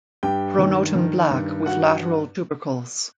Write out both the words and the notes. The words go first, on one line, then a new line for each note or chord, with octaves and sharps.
Pronotum black with lateral tubercles.
G2 G4 G5
D#3
D#3
G2
F#4 F#5